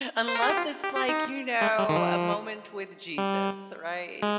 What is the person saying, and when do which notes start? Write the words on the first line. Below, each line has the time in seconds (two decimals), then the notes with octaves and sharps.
Unless it's like, you know, a moment with Jesus, right?
0.28 C5
0.35 A#4
0.42 G#4
0.50 G4
0.57 F4
0.84 G4
0.97 G4
1.09 D#4
1.61 G#3
1.79 G3
1.89 D#3
1.96 F3
3.18 G3
4.23 G#3